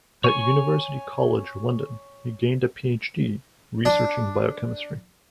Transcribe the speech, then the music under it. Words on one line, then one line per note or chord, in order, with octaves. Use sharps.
At University College, London, he gained a PhD, researching Biochemistry.
C#5 G#5 C#6
D4